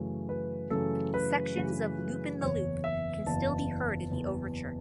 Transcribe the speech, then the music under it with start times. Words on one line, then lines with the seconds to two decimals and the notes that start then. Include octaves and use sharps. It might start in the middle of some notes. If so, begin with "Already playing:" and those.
Sections of "Loopin' the Loop" can still be heard in the Overture.
Already playing: F#2 C#3 E3 A3 C#4
0.29 B4
0.70 F#2 C#3 E3 A3 C#4 A4
1.14 B4
1.56 F#2 C#3 E3 A3 C#4
2.41 F#1 E2 E3 C#5
2.84 E5
3.26 F#1 E2 E3 A5
4.12 F#1 E2 E3